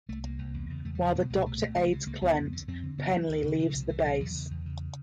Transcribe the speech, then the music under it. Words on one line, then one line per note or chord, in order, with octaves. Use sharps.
While the Doctor aids Clent, Penley leaves the base.
C2 A3
C2 A#3
C2
E2
C#3
E2 A3
G3
C#3 F#3
B2 G#3
C2 G#3
B2 A3
C2
C#2
C3
C#2 A#3
C#2 B3
F2
D3
F2 C4
D3
C#3 B3
C#3 F#3
D2
C#3
B2 F3
F#3
C2
F3
C2 E3
B2 F3
E2 F#3
C#3
E2
C#3